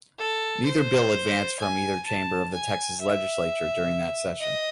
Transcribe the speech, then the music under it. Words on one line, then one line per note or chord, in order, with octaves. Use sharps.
Neither bill advanced from either chamber of the Texas Legislature during that session.
A4
C5
G#5
A5
G#5
E5
D#5